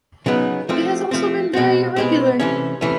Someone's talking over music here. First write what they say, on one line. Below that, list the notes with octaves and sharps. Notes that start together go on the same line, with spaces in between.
It has also been very irregular.
C#3 F#3 B3 D#4
F3 A3 C4
F3 A3 C4
B2 G#3 C4
B2 G#3 C4
C3 E3 A3 C#4
C3 E3 A3 C#4